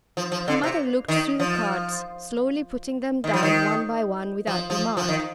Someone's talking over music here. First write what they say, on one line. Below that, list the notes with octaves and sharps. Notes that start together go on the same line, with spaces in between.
Her mother looked through the cards, slowly putting them down one by one without remark.
F3
F3
D3
C3
D#3
F3
D#3
F3
D#3
F3
F3
F3
D#3